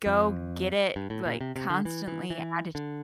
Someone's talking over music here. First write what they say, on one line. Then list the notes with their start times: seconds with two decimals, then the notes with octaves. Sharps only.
go get it, like, constantly added,
0.06 F2
0.96 G2
1.10 A2
1.26 A#2
1.41 C3
1.56 C3
1.70 D3
1.85 E3
2.08 E3
2.30 E3
2.75 D3